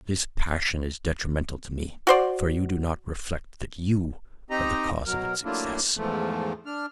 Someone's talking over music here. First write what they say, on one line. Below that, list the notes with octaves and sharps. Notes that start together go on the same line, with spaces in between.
This passion is detrimental to me, for you do not reflect that YOU are the cause of its excess.
F#4 C5 D5
C4 D#4 G4 D#5 A#5
B2 F#3 A#4
F#3 A3 A#3 D4 E4 F4
E2 G#2 E3 F3 A3
D4 F6